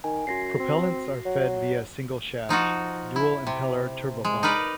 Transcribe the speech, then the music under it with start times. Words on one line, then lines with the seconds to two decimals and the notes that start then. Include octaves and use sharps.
Propellants are fed via a single shaft, dual impeller turbopump.
0.04 D#3 G#5
0.27 F#2 F#4 A#6 C7
0.60 C4
1.26 F#3
2.49 F3 D#4 F4 F#4
3.16 E4
3.47 C3
4.25 G#3
4.43 D#4 A#4 B4 D5